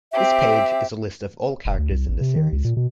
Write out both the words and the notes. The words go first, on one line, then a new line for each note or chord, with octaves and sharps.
This page is a list of all characters in the series.
C4 G4 E5
E1
D2
C2
A1
C3
D#3
C#2
A#2
B2